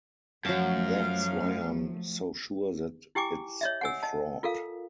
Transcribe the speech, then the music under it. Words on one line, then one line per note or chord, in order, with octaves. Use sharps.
That's why I'm so sure that it's a fraud.
F#2 F3 F#3 A3 F5 A5
E4 G4 G5 G#5 D6
C#5 D#5 E5
F#5 G#5 E6
D#5 A5
F4 A4 A#4 F5